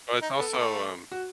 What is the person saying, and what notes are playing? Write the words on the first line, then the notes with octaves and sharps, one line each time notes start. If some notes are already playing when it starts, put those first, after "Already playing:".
But it's also um,
D#4
B3 A4
B3
A3
F#4